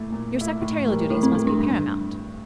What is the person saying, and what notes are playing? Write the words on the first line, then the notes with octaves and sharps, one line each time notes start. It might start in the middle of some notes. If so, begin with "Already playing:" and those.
Your secretarial duties must be paramount.
Already playing: A#2 A3 E4
A#2
A3 E4
A2
E3 G3 A#3
A2 E4
C4
E3 G3 A#3 C4
D4
G2